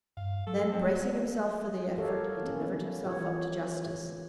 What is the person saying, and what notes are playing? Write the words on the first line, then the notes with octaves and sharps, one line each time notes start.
Then, bracing himself for the effort, he delivered himself up to justice.
G2 F5
F#3 A4
C4
F#4 G4 A4 A#4 C#5 F5
A#3 B3 C#4
E3 F4 G4 C#5